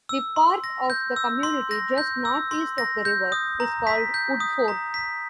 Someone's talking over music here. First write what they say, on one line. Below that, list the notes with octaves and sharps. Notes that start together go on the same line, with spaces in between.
The part of the community just north-east of the river is called Woodford.
E6
C6
A#6
G6
E6
C6
A#6
G6
E6
C6
A#6
G6
D#6
A#5
B6
G6
D#6
A#5
B6